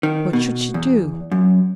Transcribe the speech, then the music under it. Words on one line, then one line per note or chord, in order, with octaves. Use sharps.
What should she do?
D#3
B2
E2
F#2